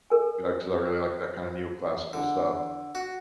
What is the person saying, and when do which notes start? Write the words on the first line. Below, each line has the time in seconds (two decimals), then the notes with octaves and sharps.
Yeah, 'cause I really like that kind of neoclassical style.
0.10 A4 A#4 G#5
2.13 D3
2.95 F#4